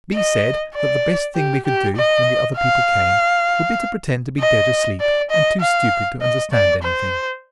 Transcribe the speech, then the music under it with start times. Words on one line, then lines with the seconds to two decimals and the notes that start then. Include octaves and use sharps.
B. said that the best thing we could do, when the other people came, would be to pretend to be dead asleep, and too stupid to understand anything.
0.14 D#5
0.75 D5
1.35 G4
1.66 G4
1.96 D#5
2.57 F5
4.39 D#5
5.00 D5
5.30 D#5
5.61 F5
6.21 D#5
6.52 D5
6.83 C5